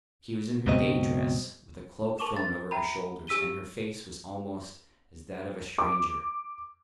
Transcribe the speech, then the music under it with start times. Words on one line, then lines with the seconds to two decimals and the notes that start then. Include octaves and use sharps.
She was in her day-dress, with a cloak thrown over her shoulders, and her face was almost as that of a stranger.
0.67 C#2 G2 B2 F#3 C4 D#5
2.19 A#4 A5 C#6 D6 E7
2.36 A6
2.71 E5 G5 A#5 B5
3.27 G4 E6 B6 D#7 G7
5.78 D6